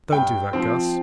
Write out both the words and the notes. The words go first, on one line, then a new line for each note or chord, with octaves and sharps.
"Don't do that, Guss?"
G2 G5
F3 C4